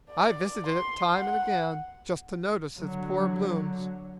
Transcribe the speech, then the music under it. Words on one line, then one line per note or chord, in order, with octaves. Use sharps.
I've visited it time an' again, just to notice its poor blooms.
D5
C6
F#5
D3 F#3